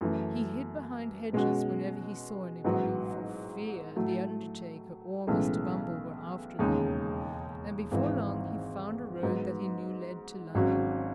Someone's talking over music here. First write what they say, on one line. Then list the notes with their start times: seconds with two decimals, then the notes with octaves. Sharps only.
He hid behind hedges whenever he saw anybody, for fear the undertaker or Mr. Bumble were after him, and before long he found a road that he knew led to London.
0.01 F#2 E3 A3
1.33 B2 G#3 C#4 F#4
2.64 A1 G#2 F#3 B3 F#4
3.96 A2 F#3 A3
5.27 B1 A2 E3 G#3 C#4
6.59 E1 D#2 C#3 G#3 D#4
7.91 G#1 G#2 E3
9.23 G#2 F#3 B3
10.54 G#1 G#2 F#3 C#4 F#4